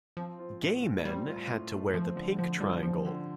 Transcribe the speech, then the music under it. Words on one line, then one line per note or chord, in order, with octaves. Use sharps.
Gay men had to wear the Pink Triangle.
F3 C4
F4
A2
A3
G3 C4
F4
A2
A3
F3 C4
D3 F3
D3 F3
F3 G3
F3 C4
D3